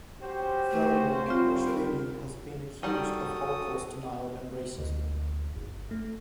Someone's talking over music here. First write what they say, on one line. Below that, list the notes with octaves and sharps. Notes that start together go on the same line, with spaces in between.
Furthermore, Rushdoony has been accused of Holocaust denial and racism.
C#4 F#4 G4 C5
A3
G3 C4 F4 F5
A#4
D#3 G3 F#4 A4 D#6
D2
G1
A3